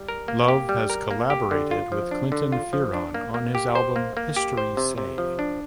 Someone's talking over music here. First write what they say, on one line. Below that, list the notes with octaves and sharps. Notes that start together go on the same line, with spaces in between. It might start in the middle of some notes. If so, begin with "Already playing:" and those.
Love has collaborated with Clinton Fearon on his album "History Say".
Already playing: G3
A#4
A#3
G4
G3
A#4
A#3
G4
D3
F4
F3
D4
D3
F4
F3
D4
A#3
A#3
G4
C5
A#3
A#3
G4
C5
C3
C3
F3
D4